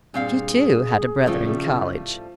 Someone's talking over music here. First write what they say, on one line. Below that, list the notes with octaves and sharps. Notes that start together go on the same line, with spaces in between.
She, too, had a brother in College.
G2 A#2 C4 G#4 F5
A2 C#3 F3 G3 A3